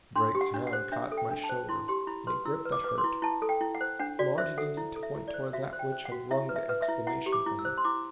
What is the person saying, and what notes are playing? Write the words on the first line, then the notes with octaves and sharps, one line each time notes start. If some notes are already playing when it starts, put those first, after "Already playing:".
Drake's hand caught my shoulder in a grip that hurt--nor did he need to point toward that which had wrung the exclamation from him.
D4 C6
G4
F#5
D4
F#5
C5
D4 E5
A4
G5
D4
A5
C5
E4 C6
G4 C6
E4 B5
B4 C6
E4 E6
B4
D6
B4 D6
C6
E4
E4 A5
A4
G5
E4
F#5
C5
D4 F#5
F#4 D5
C5 E5
A4 F#5
E4
A4
E5
E4
D5
C5
F#4 E5
C5
G5
C5
F#5
F#4
E4 E5
B4
E5
B4
E5
E4
E4 F#5
G4
D6
E4
E6
C5
C6
E4 D6